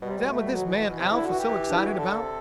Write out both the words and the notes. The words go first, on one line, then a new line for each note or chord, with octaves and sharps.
"Is that what this man Alf was so excited about!"
B2 G3
C3
B2
A3
G3
F#3
E3
E3
E3
C3
D3 E4
F#4
E3 G4
E3
D4
E4
F#4
G4
D3 A4
C3